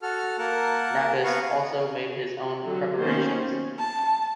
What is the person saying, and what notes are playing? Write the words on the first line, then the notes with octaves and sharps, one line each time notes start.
Nabis also made his own preparations.
F#4 A4 F6
A#3 A#4 F#5 A5
B3 B4 F5 A#5 C#6
D3 F#3
D#3 A#3 B3 C#4 C5
A5